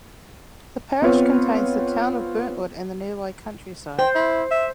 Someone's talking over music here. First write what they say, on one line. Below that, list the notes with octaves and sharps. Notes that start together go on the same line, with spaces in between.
The parish contains the town of Burntwood and the nearby countryside.
B3 C4 F4 B4 C#5
C5 G5
E4
E5